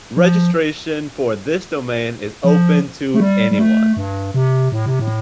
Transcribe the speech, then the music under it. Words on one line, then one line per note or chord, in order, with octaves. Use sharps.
Registration for this domain is open to anyone.
F3
F3
A3
G3
G3
A3
G2
C3
A2
C3
A2